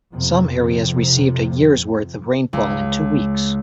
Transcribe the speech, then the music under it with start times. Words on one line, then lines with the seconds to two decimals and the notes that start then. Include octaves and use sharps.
Some areas received a year's worth of rainfall in two weeks.
0.11 F2 C3
2.53 C#2